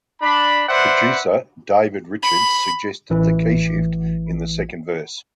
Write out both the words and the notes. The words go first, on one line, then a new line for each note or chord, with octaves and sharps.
Producer David Richards suggested the key-shift in the second verse.
D4 B5
B4 C5 D5 E5 F#5
B5
A1 E3